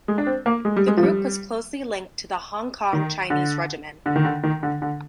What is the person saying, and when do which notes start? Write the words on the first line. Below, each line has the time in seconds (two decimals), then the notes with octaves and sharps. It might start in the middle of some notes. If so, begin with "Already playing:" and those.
The group was closely linked to the Hong Kong Chinese Regiment.
0.08 G#3
0.18 D4
0.27 C4
0.46 A#3
0.65 G#3
0.76 G3
0.87 G#3
0.97 F3
1.03 G3
2.93 D#3
3.30 D3
4.06 D3
4.16 D#3
4.25 D3
4.43 D#3
4.63 D3
4.82 D3